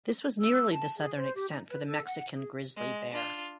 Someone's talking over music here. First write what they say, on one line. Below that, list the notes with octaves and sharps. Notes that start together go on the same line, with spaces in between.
This was nearly the southern extent for the Mexican grizzly bear.
E6
A5
G#4
C5
G4
D#4
B4
A4
F#5
G#4
G#3
D4 F4